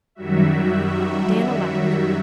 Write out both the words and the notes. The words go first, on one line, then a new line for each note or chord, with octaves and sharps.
Diana laughed.
F#2 D#3 F#3 G3 F#4 E5